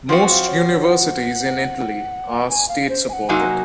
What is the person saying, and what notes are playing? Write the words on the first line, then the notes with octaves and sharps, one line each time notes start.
Most universities in Italy are state-supported.
F3 C4 F#4 F#5
F5
C#5
C#5
F#5
G#5
F5
C5
G#5
F#5
C3 F#3 A#3 D#4 F#4 G#5